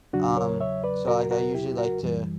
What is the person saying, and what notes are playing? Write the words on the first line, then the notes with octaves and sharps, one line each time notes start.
Um, so, like, I usually like to,
E2 C#3 F#3 D4 F#4
A#4 C#5
C#5 E5
B4 D5
F#4 A#4
F#4 A#4
E4 G4
F#4 A#4
F#2 E3 G3